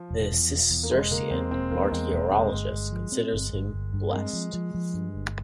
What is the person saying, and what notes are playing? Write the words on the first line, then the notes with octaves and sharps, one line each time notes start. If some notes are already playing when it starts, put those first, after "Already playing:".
The Cistercian/ martyrologist considers him blessed.
Already playing: F3
E1
E2
E1
E2
A#3
E1 G#3
C#3 A#3
E2 C4
E1 C4
E2 A#3
E2 G#3
E1
E1 G#3
G1
G1
F3
C4
G1
G1
G1
G2
A#3
G#3 C4
F3
F3
F3
G2
G1